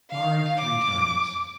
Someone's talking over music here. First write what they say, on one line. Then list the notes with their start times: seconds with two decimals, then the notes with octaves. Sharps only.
Married three times.
0.11 F5
0.58 D6